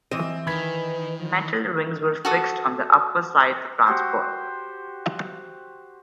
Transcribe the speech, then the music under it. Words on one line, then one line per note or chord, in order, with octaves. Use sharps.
Metal rings were fixed on the upper side for transport.
E3 C4 D#5
D#3 B4 B5 G#6 B6
F#4 A4 D#6
F#4 G4 C5